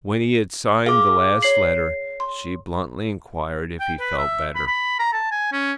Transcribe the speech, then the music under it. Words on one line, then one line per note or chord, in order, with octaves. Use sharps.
When he had signed the last letter she bluntly enquired if he felt better.
G#4 F5 D6
C#5 C7 F#7
C6
G5
B4
E5
B5
B5
A#5
A5
G#5
C#4